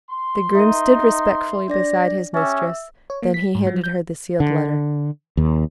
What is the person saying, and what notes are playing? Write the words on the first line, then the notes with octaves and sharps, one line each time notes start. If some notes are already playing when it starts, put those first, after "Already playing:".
The groom stood respectfully beside his mistress, then he handed her the sealed letter.
C6
D#4 A#4 E5
D4 D5 A#6
C#4 G4 E5 E6
C#5
A#3
B6
G#2
F#3
G6
D3
D#2